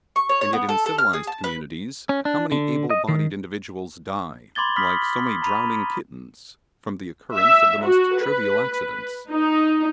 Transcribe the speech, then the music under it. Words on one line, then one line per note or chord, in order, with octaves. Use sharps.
And yet in civilized communities how many able-bodied individuals die, like so many drowning kittens, from the occurrence of the most trivial accidents!
C#6
C#5
C#5
B3
A4
A4
F6
G#4
A5
B4
C#4
D4
D3
D#5
D#3
B5 C6 D6 G#6 A6 G7
B5 D#6 F6 B6 F#7
A#5 B5 D#7
E5
F#4
B4
D#4